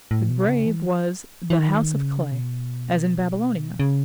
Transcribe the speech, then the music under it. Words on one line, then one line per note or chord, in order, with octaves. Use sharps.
The grave was the "house of clay", as in Babylonia.
A2
B2
C#3
E3
E3
D#3
C#3
B2
C#3